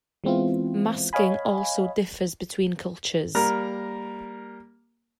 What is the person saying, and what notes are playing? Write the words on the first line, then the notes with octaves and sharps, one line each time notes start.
Masking also differs between cultures.
E3 G#3 B3 C4 E4 F4
C#5 D#5 F5 G#5 B5
G3 A#3 A#4 A#5 F6